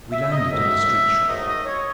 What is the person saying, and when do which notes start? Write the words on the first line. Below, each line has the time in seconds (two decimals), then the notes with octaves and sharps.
We landed in the street-shrine.
0.12 E5
0.31 D#5
0.50 G#2 D#3 F#3 A3 E5
1.28 G#2 D#3 F#3 A3 D#5
1.46 D#5
1.66 C#5